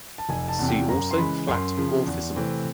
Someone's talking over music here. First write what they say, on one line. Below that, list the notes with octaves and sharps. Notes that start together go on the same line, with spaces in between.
See also flat morphism.
A5
F1 G#5
A5
E2 C3
G5
F#2 A#5
C6
C#3 E3 G#3 B5
F#2 C6
C#3 F3
E2
C3 E3 A3 C4